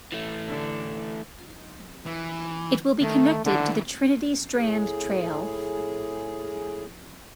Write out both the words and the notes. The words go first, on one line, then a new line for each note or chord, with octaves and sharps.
It will be connected to the Trinity Strand Trail.
E3 A3
D3 D4
E3
D#3 A3
D3 D#3 E4
A2 G#4